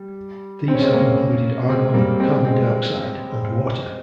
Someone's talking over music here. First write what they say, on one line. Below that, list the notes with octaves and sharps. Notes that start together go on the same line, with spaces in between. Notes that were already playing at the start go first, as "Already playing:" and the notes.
These have included argon, carbon dioxide, and water.
Already playing: G3
C4
C#4
G#3 C4
A#3 C#4
G#3 C4
G3 A#3
G#3 C4
G#3 C4